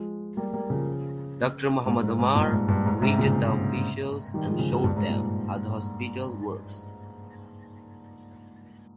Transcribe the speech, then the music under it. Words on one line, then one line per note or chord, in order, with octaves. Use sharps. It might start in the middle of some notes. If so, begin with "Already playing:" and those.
Doctor Mohamed Omar greeted the officials and showed them how the hospital works.
Already playing: F3 G#3
G3 A#3
G3 A#3
C#3 F3
G#2
G#2
G#2
G2 A#2
G#2
G2
G#2
G#2 C3
A#2 C#3
D#3 G3
F3 G#3
C#3 F3
G#2
G2
G#2
A#2